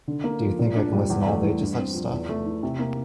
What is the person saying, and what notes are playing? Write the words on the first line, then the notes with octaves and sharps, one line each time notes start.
Do you think I can listen all day to such stuff?
D3
A#3
F3
A#2
D4
G3
E2
A3
E3
G2
C4
F3
E2
A3
E3
C3
A#3